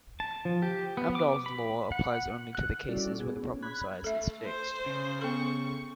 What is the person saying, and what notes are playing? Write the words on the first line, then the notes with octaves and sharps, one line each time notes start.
Amdahl's law applies only to the cases where the problem size is fixed.
A5
F3
G4
B3
D6
B5
F#5
F#6
G3 C#4 E4 F#4 A4 D5
B3 G#4
C#4
B5 F#6 G#6
A3 A4 E5
C5
C#3
B3 A4 C#6